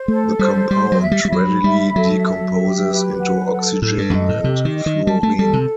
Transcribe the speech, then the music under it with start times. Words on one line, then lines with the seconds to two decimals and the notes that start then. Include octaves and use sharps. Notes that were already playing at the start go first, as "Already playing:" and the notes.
The compound readily decomposes into oxygen and fluorine.
Already playing: C5
0.08 A3 A4
0.39 G3 C5
0.70 G3 C6
0.92 F#3
1.02 E5
1.12 G3
1.25 G3
1.32 F#3 B5
1.64 G3 E5
1.95 F#3 A4
2.27 E5
2.58 G4
2.89 B4
3.20 F#5
3.51 A4
3.82 A2 A4
3.98 G2
4.10 E2
4.13 F#2 D#5
4.29 A2
4.44 C3 G4
4.65 D#3
4.75 D#5
4.86 D#3
5.07 G3 A5
5.23 A3
5.38 G3 A4
5.53 C3